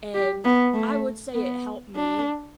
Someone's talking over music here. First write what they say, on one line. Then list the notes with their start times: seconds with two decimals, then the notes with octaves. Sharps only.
and I would say it helped me
0.14 G4
0.44 B3
0.74 A3
1.34 B3
1.95 D4